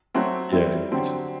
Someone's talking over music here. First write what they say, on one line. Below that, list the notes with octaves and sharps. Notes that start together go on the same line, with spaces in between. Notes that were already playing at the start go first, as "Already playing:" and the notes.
yeah, it's
F#3 A3 C4 F#4
G3 C4 E4
D3 F#3 C4 G4